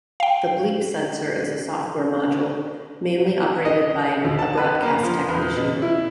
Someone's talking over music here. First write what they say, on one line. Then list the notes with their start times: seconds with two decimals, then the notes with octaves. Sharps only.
The bleep censor is a software module, manually operated by a broadcast technician.
0.20 F5 G5
3.65 D#5
4.25 D2
4.39 A5
4.57 B4
4.83 A#3
5.03 F3
5.29 E2
5.56 B2
5.82 E4